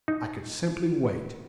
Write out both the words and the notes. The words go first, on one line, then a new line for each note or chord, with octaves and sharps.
I could simply wait.
D#4